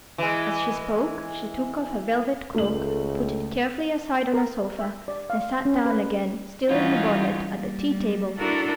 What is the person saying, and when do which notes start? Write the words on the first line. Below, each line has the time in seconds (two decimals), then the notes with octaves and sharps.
As she spoke she took off her velvet cloak, put it carefully aside on a sofa, and sat down again, still in her bonnet, at the tea-table.
0.18 E3 G#3
2.55 C#2 A3 F#7
4.15 G5
4.34 A#4
4.79 E5
5.08 D5
5.30 F5
5.65 C#4
5.86 B4
6.67 E3 G3 C#4 D#4 F4 F#4
7.50 G3 A#3
8.37 D4 E4 F#4 A4 A#4